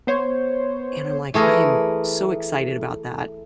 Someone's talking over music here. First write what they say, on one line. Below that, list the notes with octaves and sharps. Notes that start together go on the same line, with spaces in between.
and I'm like, "I am so excited about that."
B3 C5 C#5
E3 A3 G#4 A#4